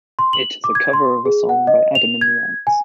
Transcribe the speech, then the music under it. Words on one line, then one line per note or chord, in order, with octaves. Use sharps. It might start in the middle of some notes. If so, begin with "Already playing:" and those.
It is a cover of a song by Adam and the Ants.
C6
F#7
D6
G#6
C6
G#4
F#5
D#5
F7
G#6
G#5